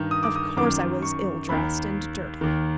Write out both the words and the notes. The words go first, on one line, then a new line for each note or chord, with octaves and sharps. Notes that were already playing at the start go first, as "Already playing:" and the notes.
Of course I was ill-dressed and dirty.
Already playing: G2 D#3
D#6
D6
D#6
F#2 D#3 D6
C#6
D#2 D#3 B5
D#2 D#3